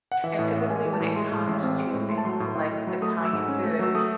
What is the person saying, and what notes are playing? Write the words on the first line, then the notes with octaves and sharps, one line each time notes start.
and, typically, when it comes to things like Italian food,
F#5
E3 E5
A2
A1
G#3 G#5
E3
A5
A2
G#3 C6
A2
A1
C4
G#3
A2
A3 C6
A5
F#3 C6
A2
A2
A3
F#3
A3 D#6
F#3
E6
G#2
C#4
A3
F#3 E6
A3 D#6